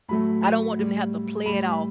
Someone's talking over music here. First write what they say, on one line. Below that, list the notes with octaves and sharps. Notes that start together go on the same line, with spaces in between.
I don't want them to have to play it off
A2 F#3 A3 B5
A2 G3
A2 G3 B5